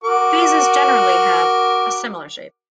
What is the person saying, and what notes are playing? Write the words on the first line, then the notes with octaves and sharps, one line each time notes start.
Vases generally have a similar shape.
F#4 A#4 D6